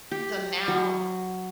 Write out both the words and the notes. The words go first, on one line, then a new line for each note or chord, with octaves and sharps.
So now
G4
F#3